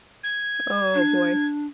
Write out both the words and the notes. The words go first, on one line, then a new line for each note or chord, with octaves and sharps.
Oh, boy.
G#6
D4